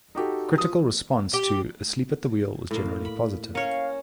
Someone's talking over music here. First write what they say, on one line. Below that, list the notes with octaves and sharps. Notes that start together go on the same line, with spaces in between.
Critical response to "Asleep at the Wheel" was generally positive.
D#4 F#4 G4 A4
F3 D#6
G4
A2 A#3
B5
C#4 A#4 C#5 F5